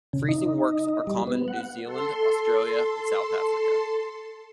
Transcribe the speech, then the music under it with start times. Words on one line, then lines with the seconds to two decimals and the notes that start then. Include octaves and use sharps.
Freezing works are common in New Zealand, Australia and South Africa.
0.13 C#3
0.29 D#4
1.07 G3
1.27 B3
1.48 F#5
1.84 A4 C6